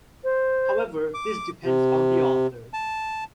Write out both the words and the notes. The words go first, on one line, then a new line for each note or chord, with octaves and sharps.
However, this depends on the author.
C5
D6
C3
A5